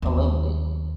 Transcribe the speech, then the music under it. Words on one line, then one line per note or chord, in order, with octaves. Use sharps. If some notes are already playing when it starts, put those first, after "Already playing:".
I loved it.
D#2 D#3